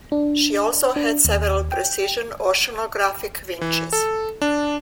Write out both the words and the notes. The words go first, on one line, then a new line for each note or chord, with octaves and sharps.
She also had several precision oceanographic winches.
D4
D4
D#2
G5
E3
A4
D4